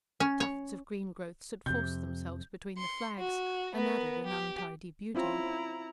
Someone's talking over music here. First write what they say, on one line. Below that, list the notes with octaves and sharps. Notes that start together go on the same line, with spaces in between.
Tufts of green growths had forced themselves between the flags, and added an untidy beauty.
C#4
C#5
F2 C3 G6
C6 C#7
F#4
B3 A#4
G4
C4 C#4 E4 F4 A#5